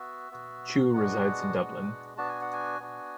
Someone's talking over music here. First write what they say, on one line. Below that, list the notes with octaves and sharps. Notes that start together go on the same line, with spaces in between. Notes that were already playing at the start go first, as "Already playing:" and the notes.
Chu resides in Dublin.
Already playing: B3 F#4 E5
B3 F#4
G#3 B3 D4 F#4 F#5
G#3 B3 D4 F#4
B3 D4 F#4 A5
G#5
F#5
G#5
B3 D4 F#4